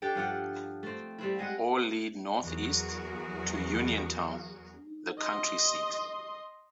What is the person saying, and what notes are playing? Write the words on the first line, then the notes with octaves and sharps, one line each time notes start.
All lead northeast to Uniontown, the county seat.
D4 G4 A4 G5
G2 F3 F#5 G5
A3 C4
G3 C4 E4
G#3 D#5 F#5
E2 F#3 F#4 G#4 A#4
D#5 C6